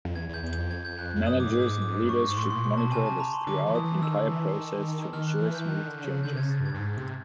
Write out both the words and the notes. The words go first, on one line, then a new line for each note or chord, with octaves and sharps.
Managers and leaders should monitor this throughout the entire process to ensure smooth changes.
F2
E2 G#6
E2 G6
E2
G6
F2
G#6
G6
F#6
F2
F#2 D#6
D6
A2
G#2 D6
D#6
D6
D6
F#2
G2 C#6
G#2
A2 C6
C6
A#2
B2 C6
A5
C3 G#5
A5
A#5
C6
D3 D6
E3
D#6
E3
D#3 E6
D3
E3
D#3
D#3 F6
F#6
E3
G6
D#3 F#6
D3
F#6
C#3
D3 G6
C3
G#6
C#3
A6
G2
G#6
G2
G#2
C3